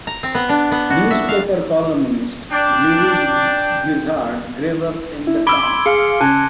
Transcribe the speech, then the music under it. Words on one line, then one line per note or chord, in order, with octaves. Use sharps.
Newspaper columnist Lewis Grizzard grew up in the town.
A#5
C4
B3
D4
B3
F#4
E5
F5
D4 G5
E4
B5 D6 E6 G#6 D7 G7
C6
G#4 F5 C#7
C#3 G#5 A5 F#6 G#6